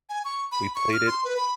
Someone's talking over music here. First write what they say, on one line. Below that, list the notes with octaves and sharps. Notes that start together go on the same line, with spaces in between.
We played it
G#5
C#6
B5
C#6
F6
C6
B4
B5